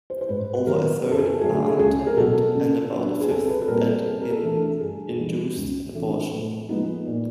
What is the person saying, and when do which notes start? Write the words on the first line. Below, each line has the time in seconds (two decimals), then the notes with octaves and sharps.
Over a third are unintended and about a fifth end in induced abortion.
0.10 C5
0.21 C5
0.29 G#2 B4
0.55 B4
0.67 D#3 F#3 B3 A#4
1.04 F#2 A#4
1.11 A4
1.18 G#4
1.25 A4
1.41 D3 F#3 A3 G#4
1.68 A4
1.79 C#2 G#4
2.07 A#4
2.17 B2 F#3 A4
2.55 C#3
2.92 F#3 B3 D4
3.21 G#4
3.30 C2 A4
3.49 B4
3.61 A4
3.67 A#2 G3 C4 A#4
3.87 A4
4.06 C3 G#4
4.22 A#4
4.31 A4
4.43 E3 A3 D4
4.56 A4
4.81 G2 G#4
5.18 E3 G3 B3 D#4
5.57 C#2
5.94 C3 E3 A3 D4
6.31 A2
6.69 F3 G#3 B3 D#4
7.07 A#2